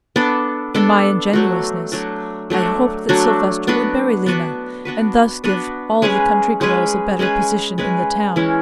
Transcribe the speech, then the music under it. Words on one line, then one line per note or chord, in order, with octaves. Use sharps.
In my ingenuousness I hoped that Sylvester would marry Lena, and thus give all the country girls a better position in the town.
B3 D4 A4 D5
B3 D4 A4 D5
F#3 A3 D4 F#4
F#3 A3 D4 F#4
F#3 A3 D4 F#4
F#3 A3 D4 F#4
B3 D4 F#4 B4
B3 D4 F#4 B4
B3 D4 F#4 B4
B3 D4 F#4 B4
G#3 C#4 G#4 B4
G#3 C#4 G#4 B4
G#3 C#4 G#4 B4
G#3 C#4 G#4 B4
E3 G#3 C#4 E4